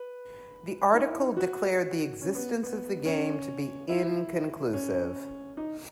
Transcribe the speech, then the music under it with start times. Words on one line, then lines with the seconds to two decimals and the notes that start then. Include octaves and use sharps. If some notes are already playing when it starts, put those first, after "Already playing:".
The article declared the existence of the game to be "inconclusive".
Already playing: B4
0.94 D#4
1.07 E4
1.20 D#4
1.37 F#4
2.21 C#4
2.35 B3
2.63 B3
3.05 C#4
3.89 E4
4.73 C#4
5.57 D#4